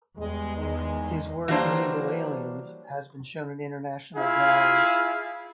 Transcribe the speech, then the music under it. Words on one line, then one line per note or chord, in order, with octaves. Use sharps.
His work "Illegal Aliens" has been shown in international galleries.
E2 G3 G#3
D#3 G#3
E3 F#3 G3 A#3 D4 C5
E4 F4 G#4 F5